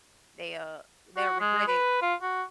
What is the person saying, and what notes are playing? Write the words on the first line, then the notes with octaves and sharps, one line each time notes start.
they'll they'll regret it
F#4
G#3
B4
F4
F#4